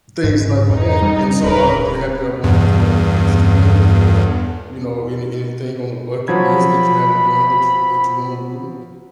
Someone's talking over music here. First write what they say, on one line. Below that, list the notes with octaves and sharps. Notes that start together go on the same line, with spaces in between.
things like that, and so are they Have you ever wanted to learn an instrument or, you know, any anything on the bucket list that you haven't done that you that you wanna do?
G#2
F2 D#4
G3
D1 A#4 B4
E2 G2
F3 F#3 B5 G#6